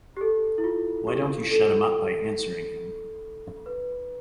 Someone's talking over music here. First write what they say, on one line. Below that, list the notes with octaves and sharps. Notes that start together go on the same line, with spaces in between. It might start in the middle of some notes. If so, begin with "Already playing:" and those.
Why don't you shut him up by answering him?
G4
A4
E4
F4
G4
A4
B4